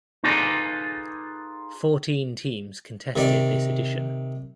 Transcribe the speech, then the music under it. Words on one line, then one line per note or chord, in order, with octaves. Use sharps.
Fourteen teams contested this edition.
D#4 F4 G#4 A4 B4 D5
C3 D#3 D5